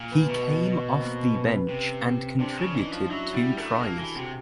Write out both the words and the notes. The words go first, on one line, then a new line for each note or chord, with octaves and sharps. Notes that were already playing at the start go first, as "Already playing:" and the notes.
He came off the bench and contributed two tries.
Already playing: A#2
A3 B3
B2
A#3 C4
B3 C#4
C3
C3 C4 D4
C#3
E3 C#4 D#4
F3
F#3 D4 E4
G3 E4 F#4
A3 G#4 A#4
A#3 G4 A4
E3
C3 F#4 G#4